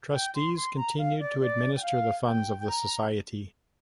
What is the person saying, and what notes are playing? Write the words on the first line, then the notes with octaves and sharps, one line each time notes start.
Trustees continued to administer the funds of the Society.
G5
C6
C6
A#5
F5
D5
D5
G5
F5
G5
G5
A#5